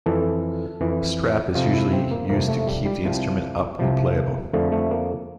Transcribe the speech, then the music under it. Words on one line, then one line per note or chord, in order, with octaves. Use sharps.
A strap is usually used to keep the instrument up and playable.
F2 E3 A4
F2 E3
F2 C3 F3 F4
E4
C4
A#3
F2 C3 F3 A#3
A3
G3
G3
C2 C3 F3
C2 C3 F3
F2 D3 F3 A3
A3
A#3